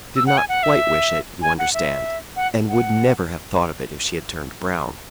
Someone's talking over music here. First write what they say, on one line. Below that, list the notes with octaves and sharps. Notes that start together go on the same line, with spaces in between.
She did not quite wish it, you understand, and would never have thought of it if she had turned brown.
E6
F#5
G#5
F#5
E5
G#5
F#5
E5
F#5
F#5